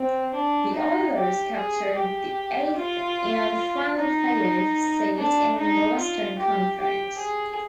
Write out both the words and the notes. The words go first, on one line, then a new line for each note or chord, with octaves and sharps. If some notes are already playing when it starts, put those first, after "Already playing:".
The Oilers captured the eighth and final playoff seed in the Western Conference.
Already playing: C4
D4
D#4
G4
G#4
G4
F4
D#4
D4
D#4
F4
G4
G4
G#4